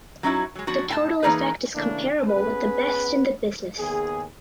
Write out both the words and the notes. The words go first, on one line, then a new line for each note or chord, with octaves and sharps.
The total effect is comparable with the best in the business.
F#3 C#4 D#4 E4 F#4
F#3 G#3
F3 F#3 B3 D4 F#4
A2 G5 A5
E3 A#3 D#4 G#4 B4
C#3 E3 A3 A#3 D4
B3 C#4 G#4 B4
D#2 B3 G#4